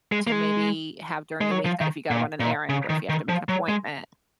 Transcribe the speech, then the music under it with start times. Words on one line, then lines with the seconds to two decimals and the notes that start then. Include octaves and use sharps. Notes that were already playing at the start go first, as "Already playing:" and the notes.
to maybe have during the week that if you gotta run an errand or if you have to make an appointment,
0.12 G#3
0.27 A#3
0.32 G#3
1.41 G#3
1.51 F#3
1.66 F3
1.81 D#3
2.10 A#2
2.40 A#2
2.69 C#3
2.90 D#3
3.09 D#3
3.29 F3
3.49 F#3
3.69 G#3